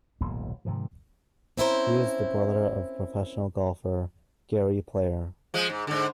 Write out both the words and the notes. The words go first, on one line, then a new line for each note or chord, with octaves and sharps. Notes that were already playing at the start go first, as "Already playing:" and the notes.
He was the brother of professional golfer Gary Player.
D#1 B1 G#2 A#3
G#2 C3 D#3 F3
C4 C#4 E4 A#4 C5
F3 G#3
G#2
G#2 D3